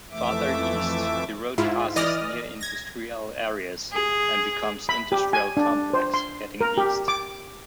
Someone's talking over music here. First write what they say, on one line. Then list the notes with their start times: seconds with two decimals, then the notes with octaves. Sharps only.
Farther east, the route passes near industrial areas and becomes Industrial Complex, heading east.
0.11 F2 E3 A3 E5 D6
1.58 G#2 E4 F4
1.96 E3 D5 D#5 D#6 F6 A#6
2.61 G#6 A#6
3.93 G#4
4.89 B5
5.12 G4
5.33 G#5
5.57 D4
5.93 C5
6.14 C6
6.61 A#4
6.77 G4
7.08 D6